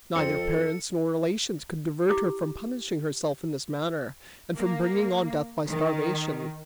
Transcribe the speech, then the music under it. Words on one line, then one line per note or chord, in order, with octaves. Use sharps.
Neither parents nor relations could divert her from punishing herself in this manner and from bringing on death by starvation.
F2 C4 A4 C#7
E4 G4 D6
A#3
D#3